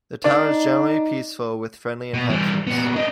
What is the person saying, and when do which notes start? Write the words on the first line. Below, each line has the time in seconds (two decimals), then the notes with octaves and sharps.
The town is generally peaceful with friendly inhabitants.
0.24 D4 D#4
2.14 B2 B3
2.29 E3 G3
2.67 A#2 B3
2.96 D4 D#5